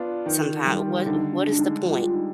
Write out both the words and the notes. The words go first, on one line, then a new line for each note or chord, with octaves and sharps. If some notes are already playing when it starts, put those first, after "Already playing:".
sometimes. What what is the point?
Already playing: B3 D4 F4
D#3
G3
D3 D#4
D4
G#3
D4
D#4
G3 F4
F4
D#4